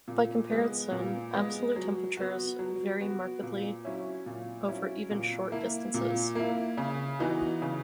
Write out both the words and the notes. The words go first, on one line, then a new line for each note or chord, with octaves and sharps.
By comparison, absolute temperatures vary markedly over even short distances.
A#2
G#3 B3
A#2
G#3 B3
F#3
B3 F#4
F#3
B3 F#4
A#2
F#3 C#4 E4
A#2
F#3 C#4 E4
A#2
A#3 E4
A#2
A#3 E4
C#3
E3 B3 D#4 F#4
C#3